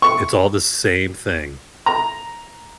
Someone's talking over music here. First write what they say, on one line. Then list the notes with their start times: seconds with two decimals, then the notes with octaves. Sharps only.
It's all the same thing.
0.02 C#6
1.86 A#5